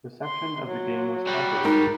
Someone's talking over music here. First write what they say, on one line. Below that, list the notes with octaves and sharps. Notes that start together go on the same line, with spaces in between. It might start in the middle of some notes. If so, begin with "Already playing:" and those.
Reception of the game was positive.
C6
F#3
G3 F#4
G#2 D#4 A#4